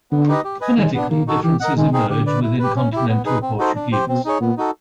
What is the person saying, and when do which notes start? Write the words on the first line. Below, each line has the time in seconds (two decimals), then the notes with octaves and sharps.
Phonetically, differences emerge within Continental Portuguese.
0.11 D3 B3
0.28 D#4 G4 B4 D#5
0.44 G4
0.61 B4 D#5 G#5
0.78 D#3 G#3
0.94 B3 D4
1.10 D#3 A#3
1.27 D#4 F#4 A4
1.43 E3 G4
1.60 A#4 D#5 F#5
1.77 D#3 G#3
1.93 C4 D#4 G#4
2.10 D3 G4
2.26 B4 D5
2.43 E4
2.59 G4 B4
2.76 C#4
2.92 E4 G4
3.09 B3
3.25 D#4 G#4 B4
3.42 C4
3.59 D#4 F#4 A4 C5
3.75 D4
3.92 G4 C5
4.08 B2 C4
4.25 D#4 G#4 C#5
4.41 A#2 B3
4.57 D#4 F#4 A4